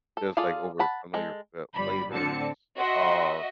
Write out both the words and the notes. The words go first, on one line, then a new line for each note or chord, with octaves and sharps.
Just, like, over familiar fa uh, flavors, uh,
A4
F4 G#4 A4 D5 F5
F#5 A5 B5
G#3 A4
G1 G3 B5
A2 D3 C4 A5 C#7
F#4 D#5 E5 F#5 C6